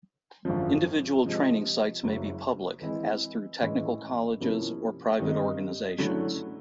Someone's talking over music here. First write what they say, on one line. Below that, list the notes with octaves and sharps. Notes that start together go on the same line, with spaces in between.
Individual training sites may be public, as through technical colleges, or private organizations.
G#1 F#2 D3 F3
C3 F3 G#3
F#1 F#2 C#3 F#3
E3 G#3 C4 E4
A2 E3 G#3 C#4 E4
C3 F3 A#3 C#4 E4
G2 D#3 G3 C4 D#4
D3 F#3 A3 C#4 E4